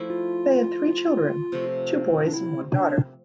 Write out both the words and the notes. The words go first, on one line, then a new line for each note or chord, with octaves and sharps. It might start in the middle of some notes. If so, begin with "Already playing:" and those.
They had three children, two boys and one daughter.
Already playing: F3 A3 E4
F4
C3 F3 A3
D4
E4
D4